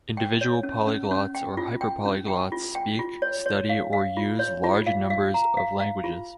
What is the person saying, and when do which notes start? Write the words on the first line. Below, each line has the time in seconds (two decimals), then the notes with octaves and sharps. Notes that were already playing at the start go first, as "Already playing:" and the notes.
Individual polyglots or hyperpolyglots speak, study, or use large numbers of languages.
0.17 G5
0.41 C#5
0.63 C#4
0.87 C#4
1.11 C#4
1.35 G5
1.57 F4
1.81 G5
2.05 C#4
2.28 G5
2.52 F4
2.75 G5
2.99 F4
3.22 C#5
3.46 C#5
3.69 F5
3.93 F5
4.17 F4
4.39 C#5
4.64 F4
4.87 F5
5.10 F5
5.34 A#5
5.57 F5
5.80 F5
6.04 F4